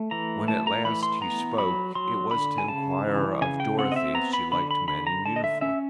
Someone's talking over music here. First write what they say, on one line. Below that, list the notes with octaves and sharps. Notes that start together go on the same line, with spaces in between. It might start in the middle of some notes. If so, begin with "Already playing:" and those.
When at last he spoke, it was to enquire of Dorothy if she liked men in uniform.
Already playing: A3
E3 A#5
A3 A5
A#5
E3 B5
C6
B3 A#5
F#3 B5
F#3 C6
D3 B5
G#5
C#3 A5
E3
C#3 G#5
G5
C4 F#5
D#5
E5
B3 A#5
B5
D3 B5
B5
D3 B5
A#5
D3 A5
D#5
E5
C#4 E5